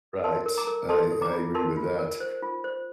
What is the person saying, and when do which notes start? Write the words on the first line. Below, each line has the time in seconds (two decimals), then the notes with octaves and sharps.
Right, I I agree with that,
0.24 A#4 A5 C6
0.46 A#4
0.57 A#5 D6
0.67 A#4
0.89 A4 A5 C6
1.12 A4
1.22 A#5 D6
1.32 F4
1.55 A#4 A5 C6
1.77 F4
1.99 A#4
2.20 C5
2.42 F4
2.64 C5